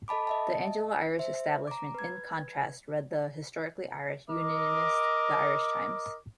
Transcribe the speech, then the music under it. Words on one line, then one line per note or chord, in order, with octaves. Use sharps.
The Anglo-Irish establishment in contrast read the historically Irish unionist "The Irish Times".
A4 D#5 A5 B5 D6
D#5 E5 A5
C5 E5
A#5 D6
B4 G#6
A#4 D#5 D6